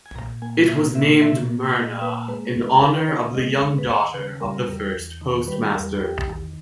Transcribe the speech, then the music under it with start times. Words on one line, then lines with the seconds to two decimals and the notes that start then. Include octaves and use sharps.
It was named Merna in honor of the young daughter of the first postmaster.
0.06 G#5
0.15 A#2 A#5
0.42 A#3 G#5
0.68 A#2 E5
0.95 A#3 E5
1.22 A#2 E5
1.48 A#3
1.75 A#2 D#5
2.01 A#3 B4
2.28 G#3 B4
2.47 B4
2.55 D#2 A#4
2.63 B4
2.81 D#2 A#4
2.95 B4
3.08 C#3 C#5
3.21 E5
3.35 G#3 D#5
3.61 D#2 C#5
3.78 B4
3.88 D#2 C#5
4.14 C#3 B4
4.41 G3 A#4
4.68 E2
4.95 E2
5.21 D#3
5.47 G3 B4
5.75 E2 A#4
6.01 E2 G4
6.28 D#3